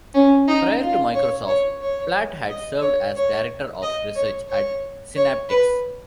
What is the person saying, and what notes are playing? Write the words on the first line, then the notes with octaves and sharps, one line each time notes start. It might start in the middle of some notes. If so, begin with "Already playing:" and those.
Prior to Microsoft, Platt had served as Director of Research at Synaptics.
C#4
D#4
F4
C#5
C#5
C#5
D#5
C#5
C#5
D#5
C#5
C#5
C#5
B4